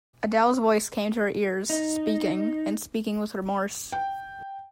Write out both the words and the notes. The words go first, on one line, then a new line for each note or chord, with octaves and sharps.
Adele's voice came to her ears, speaking — and speaking with remorse.
D#4
G5